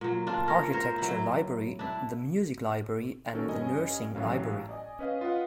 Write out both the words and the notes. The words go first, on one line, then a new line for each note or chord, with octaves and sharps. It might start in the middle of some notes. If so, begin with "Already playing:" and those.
Architecture Library, the Music Library, and the Nursing Library.
A#2 F#3
D4 F4
C#4 A#4
A#4 C5 C#5
F#3 E4
D4 E4
D#3 C#4 F#4 A4 A#4
G2 C#4 D#5 G#5
A1 F#2 A2 F#3 F5
D5 D#5 G#5
C#4 B4 D#5 F5
F4 B4 D#5 F5 F#5